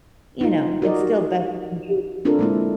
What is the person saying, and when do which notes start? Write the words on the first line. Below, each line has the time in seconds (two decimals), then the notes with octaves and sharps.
you know, it's still best that you
0.41 D#4 F4
0.82 F#4 A#4 D5 D#5
1.00 G4
2.25 C4 D4 F4 A4 A#4
2.39 G#3 A#3 E4